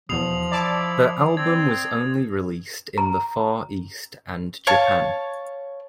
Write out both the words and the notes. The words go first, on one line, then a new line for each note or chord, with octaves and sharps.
The album was only released in the Far East and Japan.
E2 B2 F3 D#6 C7 F7
E4 D5 A5 D6
C4 G#6
A#5
C#5 F5 A5